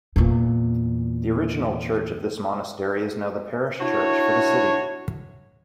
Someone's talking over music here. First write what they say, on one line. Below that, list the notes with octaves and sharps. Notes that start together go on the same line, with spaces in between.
The original church of this monastery is now the parish church for the city.
E2 A#2
D4 E4 F#4 C#5